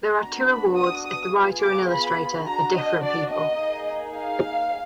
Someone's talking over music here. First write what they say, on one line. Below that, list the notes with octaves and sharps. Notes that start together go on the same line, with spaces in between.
There are two awards if the writer and illustrator are different people.
B3 D4 F#4 A#5
B5
D#6
D#6
B3 F4 G#4
D6
B5
D4 F#4 A#5
D#5
D5
D#5
A#3 D#4 G#4
F5